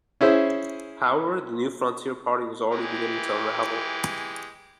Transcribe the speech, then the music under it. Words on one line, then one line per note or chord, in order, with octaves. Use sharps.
However, the New Frontier Party was already beginning to unravel.
C#4 E4 G#4 C5
E3 G#3 G4